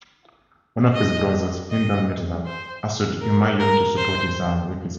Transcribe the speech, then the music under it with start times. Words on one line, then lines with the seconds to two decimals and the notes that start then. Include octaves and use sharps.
One of his brothers Hindal Mirza assured Humayun to support with his army.
0.95 D#5
1.71 D#5
2.46 C5
3.21 A#4
3.60 A#4
3.97 C5